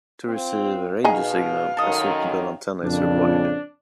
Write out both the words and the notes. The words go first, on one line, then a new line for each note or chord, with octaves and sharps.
To receive a radio signal, a suitable antenna is required.
C4 F4
B2 D#4 G#4 F5
F#2 D#3 A4 D#5
F2 A#2 C#3 D4